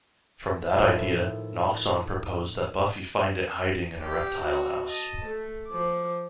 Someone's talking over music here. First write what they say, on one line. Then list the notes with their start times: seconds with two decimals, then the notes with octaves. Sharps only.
From that idea, Noxon proposed that Buffy find it hiding in a reptile house.
0.76 A2 D#3 F3 E4
4.00 G4
4.42 F#4
4.87 D#5 A5
5.25 A3
5.68 F3 D6